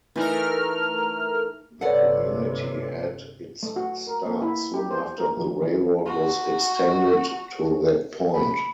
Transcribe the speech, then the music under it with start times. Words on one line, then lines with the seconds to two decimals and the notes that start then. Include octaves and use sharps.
The community had its start soon after the railroad was extended to that point.
0.16 E3 A3 D#4 A#4 F6
1.81 G1 C3 A4 B4 C#5 D5 F#5
3.63 A3
3.76 F#4
4.07 A#4
4.26 A#3
4.42 E4
4.74 G4
4.91 C5
5.18 A#4
5.37 F3
5.62 E3
6.06 F#4
8.35 B5